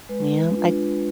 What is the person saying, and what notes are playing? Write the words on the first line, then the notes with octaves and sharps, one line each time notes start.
Yeah, I
G#3 B4
D4 F4